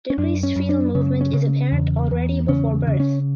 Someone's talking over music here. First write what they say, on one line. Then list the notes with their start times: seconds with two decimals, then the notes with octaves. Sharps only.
Decreased foetal movement is apparent already before birth.
0.10 C#4
0.18 F#2 D4
0.43 C#4
0.56 F#2
0.69 D4
0.95 C#3 C#4
1.21 C#4
1.33 C#3
1.72 E2
2.11 E2
2.48 C#3 C#4
2.87 C#3
3.00 C#4